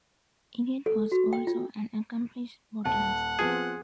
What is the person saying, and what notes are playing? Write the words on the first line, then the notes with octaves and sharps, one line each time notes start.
Egede was also an accomplished botanist.
A4
F#4
G5
F4
D#1 F#5 A5
F3 B3 C4 G#4